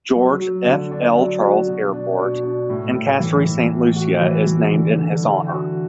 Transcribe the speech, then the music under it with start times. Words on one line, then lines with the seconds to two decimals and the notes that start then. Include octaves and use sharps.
George F. L. Charles Airport, in Castries, Saint Lucia, is named in his honour.
0.16 F#3
0.41 F#3
0.66 D3
0.91 D4
1.17 F#3
1.42 F#4
1.68 B2
1.93 D4
2.18 B2
2.43 D4
2.70 A2
2.95 A2
3.20 E3
3.45 E3
3.71 A2
3.96 F#4
4.21 E3
4.47 E3
4.73 D3
4.98 D3
5.23 E3
5.49 F#4